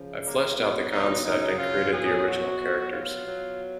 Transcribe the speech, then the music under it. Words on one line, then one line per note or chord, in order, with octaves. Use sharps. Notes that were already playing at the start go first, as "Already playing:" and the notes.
I fleshed out the concept and created the original characters.
Already playing: C#3 F3
A#3
B2 F#3 B3
D#4
C#3 F#3 D#4
F4
B2 F#3 G#4
F#4
B2 F#3
F4
B2 F#3